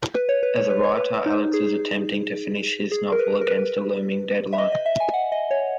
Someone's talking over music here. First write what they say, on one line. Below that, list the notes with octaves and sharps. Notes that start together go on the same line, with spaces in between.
As a writer, Alex is attempting to finish his novel against a looming deadline.
B4
C#5
B4
C#5
B4
C#5
B4
D#4
G#4
G#4
A#4
B4
A#4
B4
E5
D#5
D#5
E5
G#5
F#5
D#5
C#5